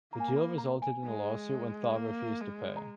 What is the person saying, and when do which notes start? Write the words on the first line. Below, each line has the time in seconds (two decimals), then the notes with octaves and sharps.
The deal resulted in a lawsuit when Thaw refused to pay.
0.13 A#3 A#5
0.20 G#5
0.28 A#5
0.36 B5
0.58 A#5
0.82 G#5
1.04 G#3
1.96 A#3
2.41 G#3
2.77 A#5